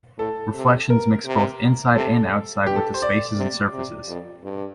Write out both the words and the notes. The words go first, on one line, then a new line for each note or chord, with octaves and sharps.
Reflections mix both inside and outside with the spaces and surfaces.
A2 A4
C3
A#4
C3
C3 A4
G2 G4
A4
C5
D5
C3
C3
F2
G2